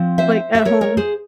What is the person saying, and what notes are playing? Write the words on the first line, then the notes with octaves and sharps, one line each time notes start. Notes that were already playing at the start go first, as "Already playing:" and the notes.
Like, at home.
Already playing: F3 C4
C5 E5
E5
A#4 C#5
A#4 C#5
G#4 C5